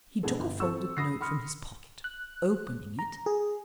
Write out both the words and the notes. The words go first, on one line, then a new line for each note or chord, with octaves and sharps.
He took a folded note from his pocket, opening it.
B2 B3 D4 G#4 A4
G1
C4 A4 C#6 E6
B5 D#6 A#6 C7
B5 C6 F6 C#7
F#6
A#5
G#4